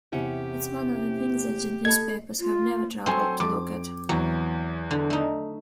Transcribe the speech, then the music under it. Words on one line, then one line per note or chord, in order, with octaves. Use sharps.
It's one of the things that the newspapers have never troubled to look at.
E2 C3 C#4 G4 E5 F#5
A4 D#5 A5 B5 G#6
F4
F#3 C4 A4 C5 G#5
F2 D6
E2 E3 F#3
D3
A3 D#4